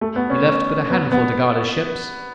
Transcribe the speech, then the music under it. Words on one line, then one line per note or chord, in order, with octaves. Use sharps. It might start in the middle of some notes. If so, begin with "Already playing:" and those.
He left but a handful to guard his ships.
A3
B3
C#4
B3
B3